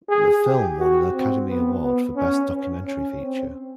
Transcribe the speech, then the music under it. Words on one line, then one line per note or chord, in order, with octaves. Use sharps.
The film won an Academy Award for Best Documentary Feature.
G#4
G4
F#4
C4
B3
B3
C#4
C#4
C#4
C4